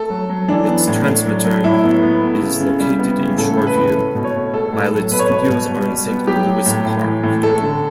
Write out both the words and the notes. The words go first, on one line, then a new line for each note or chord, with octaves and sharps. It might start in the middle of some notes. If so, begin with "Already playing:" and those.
Its transmitter is located in Shoreview, while its studios are in Saint Louis Park.
Already playing: A3 A4
F#3
F#3
E3 D4
B3
A2
A3
F#3
F#3
A2 E4
B3
B3
A3
C#3
C#3
G3
B3
C#3
A2 A4
A2
B4
A2
A3
B2
C#5
A3
A3 A4
A2
A4
F#3
B2 B4
C#5
B2 B4
B2
G3
G3
B3
F#3 G4
F#3
A2
A2
E3
A2
A3 A4
D3